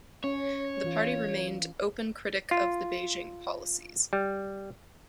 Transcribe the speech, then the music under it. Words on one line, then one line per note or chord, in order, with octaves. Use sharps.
The party remained open critic of the Beijing policies.
C#4 C#5
E3 F4
F4
G3